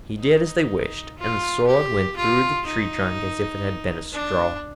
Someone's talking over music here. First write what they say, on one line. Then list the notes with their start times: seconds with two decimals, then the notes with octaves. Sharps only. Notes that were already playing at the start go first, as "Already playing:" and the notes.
He did as they wished, and the sword went through the tree trunk as if it had been a straw.
0.20 D#4
1.18 F4
1.67 G4
2.16 F4
2.66 D#4
4.13 D4